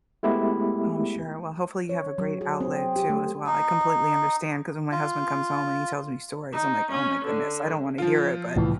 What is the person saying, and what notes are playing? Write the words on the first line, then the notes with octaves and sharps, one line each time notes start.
Oh, I'm sure, well, hopefully you have a great outlet too as well, I completely understand 'cause when my husband comes home and he tells me stories, I'm, like, "Oh my goodness, I don't want to hear it," but,
G#3 A3 B3 E4 G4
C#5
F#3
G#4
C4
G4
A3
D#4
F4
D#4
C#4
D3
F3 F4
C2 A2 E3